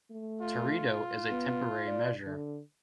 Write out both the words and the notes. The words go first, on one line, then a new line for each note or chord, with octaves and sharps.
Teredo is a temporary measure.
A3
F4
B3
D5
D3